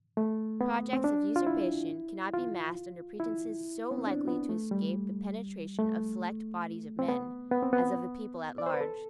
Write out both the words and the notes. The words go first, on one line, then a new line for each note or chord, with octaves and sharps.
Projects of usurpation cannot be masked under pretenses so likely to escape the penetration of select bodies of men, as of the people at large.
A3
B3
C4
D4
F4
E4
F4
E4
B3
C4
D4
B3
A3
G3
A3
C4
B3
B3
C4
B3
D5
C5
B4
A4